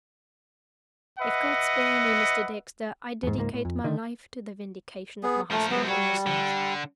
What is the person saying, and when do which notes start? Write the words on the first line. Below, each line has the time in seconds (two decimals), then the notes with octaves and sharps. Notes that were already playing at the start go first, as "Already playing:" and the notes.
If God spare me, Mr. Dexter, I dedicate my life to the vindication of my husband's innocence.
1.19 B4 D#5 E5 F#5
3.23 E2 G#2
3.36 C#2 G#2 A#3
3.54 A2
3.65 F2
3.84 D3 D#3
5.23 B3 G#4
5.52 F3 A3 A#4
5.71 F#2 B3 C4
5.89 G3 F#4 C#5
6.27 D3